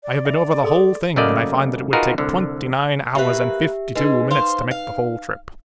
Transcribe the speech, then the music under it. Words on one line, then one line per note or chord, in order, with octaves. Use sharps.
I have been over the whole thing and I find that it would take twenty-nine hours and fifty-two minutes to make the whole trip.
D5
E5 B5
G#4 A4 C6
F#2 C#3 A3 A#3 D5 D#5
D#4 F4 F#4 G#4 A#4 B4
C2 D3
A#3 G4 B4 E5
G#3 D#4 B4
C5 F5
F5